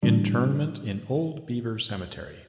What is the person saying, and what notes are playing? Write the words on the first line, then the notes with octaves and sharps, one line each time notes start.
Interment in Old Beaver Cemetery.
A2 D3 E3 G3 D4